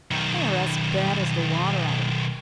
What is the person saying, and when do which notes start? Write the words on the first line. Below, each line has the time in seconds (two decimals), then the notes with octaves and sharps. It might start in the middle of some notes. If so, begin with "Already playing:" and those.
They are as bad as the Water-Adder.
0.11 B1 D#3